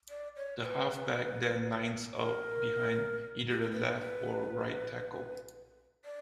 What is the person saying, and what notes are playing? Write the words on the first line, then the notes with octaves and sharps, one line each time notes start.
The halfback then lines up behind either the left or right tackle.
D5
C#5
C#5
B4
A#4
G4
A#4
B4
D5